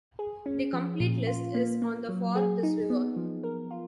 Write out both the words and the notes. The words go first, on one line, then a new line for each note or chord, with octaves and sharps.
The complete list is on the for this river.
G#4
C#4
F3
A#2
F4
A#3
A#3
F#3
G#4
D#4
B3
F3
A#4
F4